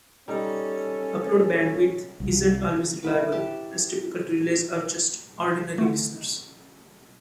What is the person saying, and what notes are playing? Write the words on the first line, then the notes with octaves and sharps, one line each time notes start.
Upload bandwidth isn't always reliable, as typical relays are just ordinary listeners.
G3 C#4 D#4 A4
C2
E4 B4 D6
G4 A5
D3 A3